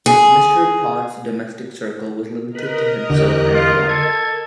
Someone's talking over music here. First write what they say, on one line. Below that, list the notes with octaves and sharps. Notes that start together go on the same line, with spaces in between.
Mr. Pott’s domestic circle was limited to himself and his wife.
G#4
A#4 B4 D#5
E2 D3 G4 F#6
F4
A4 G#6